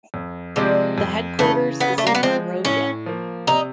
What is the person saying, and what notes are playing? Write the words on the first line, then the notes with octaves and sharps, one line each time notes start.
The headquarters is in Monrovia.
F2
C3 F3 G3 G#3 C4
F2
C#3 E3 A3
C#3 B3
A3
A#3
B3
F3 G#3 C4
A2 C#4
F3 A#3
C3 D#4